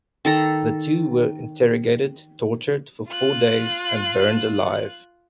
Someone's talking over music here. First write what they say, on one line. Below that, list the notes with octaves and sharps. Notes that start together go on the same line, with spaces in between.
The two were interrogated, tortured for four days, and burned alive.
D#3 A4 A#5
F4 F#6